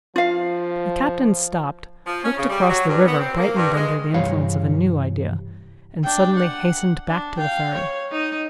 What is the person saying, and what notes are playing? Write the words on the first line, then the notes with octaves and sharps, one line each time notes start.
The captain stopped, looked across the river, brightened under the influence of a new idea, and suddenly hastened back to the ferry.
F3 F4 F5
F3
C#4
C#3
G3
F#3
G2
B3
C4
A#3
G2
G#3
C2 G2 E3 G3 C#5 F5
D4 G5
F#5
D4
F5 G5
C#5
D#4 D#5